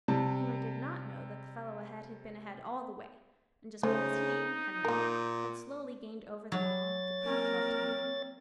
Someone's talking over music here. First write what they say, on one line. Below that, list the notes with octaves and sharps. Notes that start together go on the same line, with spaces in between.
Henry did not know that the fellow ahead had been ahead all the way, and just because he--Henry--had slowly gained over them all, the crowd loved him best.
C3 G3 A5
C#3 G#3 A3 D#4 C5
A#2 A#3 A#4
F#3 C#5 A6
A#3 C4 A#4